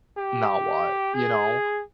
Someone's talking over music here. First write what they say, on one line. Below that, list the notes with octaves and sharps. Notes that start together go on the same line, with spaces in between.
now what, you know
G4
G#4